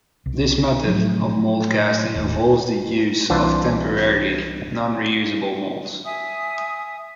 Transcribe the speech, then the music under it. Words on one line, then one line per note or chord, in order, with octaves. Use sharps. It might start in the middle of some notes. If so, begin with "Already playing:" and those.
This method of mold casting involves the use of temporary, non-reusable molds.
C2
A2 F3 F#3
D#1
C2 E3 D4 F4 C5
E5 G#5 D#6